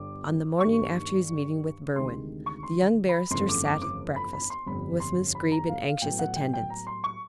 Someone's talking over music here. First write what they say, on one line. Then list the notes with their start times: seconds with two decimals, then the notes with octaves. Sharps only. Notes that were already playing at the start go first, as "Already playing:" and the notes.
On the morning after his meeting with Berwin, the young barrister sat at breakfast, with Miss Greeb in anxious attendance.
Already playing: G1 G2 D3 G3 B3 D6
0.59 G2 D#3 G3 A#3 C#6
1.95 D2 C3 D#3 G#3 C6
2.46 C#6
2.63 C6
3.09 B5
3.31 G1 F2 C#3 E3 A3 C6
3.49 D6
3.65 D6
3.82 D6
4.16 B5
4.33 B5
4.50 C6
4.66 G1 F2 D3 G3 B5
5.00 C6
5.35 B5
5.52 A#5
5.69 F5
5.85 F5
6.02 A2 F#3 B3 G5
6.19 F#5
6.36 G5
6.53 G5
6.70 A#5
6.87 C6
7.04 C#6